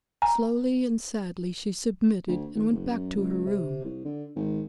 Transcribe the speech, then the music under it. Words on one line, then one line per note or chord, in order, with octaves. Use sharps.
Slowly and sadly she submitted, and went back to her room.
G#5 A#5
D2
G#1
F#1
F#2
C#2
C3
C2
D3
G#1